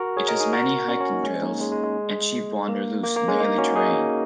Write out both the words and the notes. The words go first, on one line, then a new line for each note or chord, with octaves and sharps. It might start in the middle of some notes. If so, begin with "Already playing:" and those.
It has many hiking trails, and sheep wander loose in the hilly terrain.
Already playing: F#4 A#4
G#4 C#5
A#4 D#5
D#4 G#4
F#4 A#4
C#4 F#4
C#4 F#4
A#3 D#4
G#3 C#4
A#3 D#4
G#3 C#4
G#3
G#3
A#3
A#3
A#3
G#3 C#4
A#3 D#4
C#4 F#4
D#4 G#4